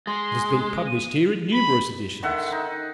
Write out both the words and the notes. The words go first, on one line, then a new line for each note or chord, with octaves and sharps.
It has been published here in numerous editions.
G#3 C6
D#7
B5
D3 D#3 E5 F#5
D#4